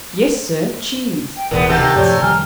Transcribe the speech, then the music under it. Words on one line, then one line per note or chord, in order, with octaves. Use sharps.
"Yes, sir, cheese," I answered.
G5
D1 E2 B2 E3 B3 A#4 B4 D5
C3 A4 F#5 G6
F#2 A2 F3 G4 C#5 D5 G6
F2 D#3 G3 G#5 A#5 F6